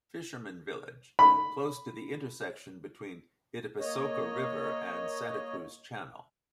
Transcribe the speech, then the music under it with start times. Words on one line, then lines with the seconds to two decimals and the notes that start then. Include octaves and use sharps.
Fishermen village, close to the intersection between Itapessoca River and Santa Cruz channel.
1.19 B5
3.79 A#3 C#5 D#5